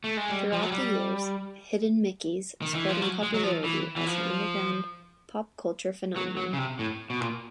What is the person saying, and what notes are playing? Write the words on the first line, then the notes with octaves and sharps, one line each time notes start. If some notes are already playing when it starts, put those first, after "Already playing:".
Throughout the years, Hidden Mickeys spread in popularity as an underground, pop culture phenomenon.
A3
G#3
G3
F3
F#3
G3
D#3
E3
F3
F#3
G#3
F#3
F3
E3
E3
F3
F#3
F#3
C#3
C3
A2
B2
A#2